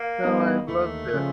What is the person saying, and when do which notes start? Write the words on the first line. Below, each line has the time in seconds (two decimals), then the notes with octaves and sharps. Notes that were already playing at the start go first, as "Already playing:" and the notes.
No, I've loved it.
Already playing: A#3
0.24 G3 B3 D#4
0.68 D#2 A3
1.13 C#3 F3 G#3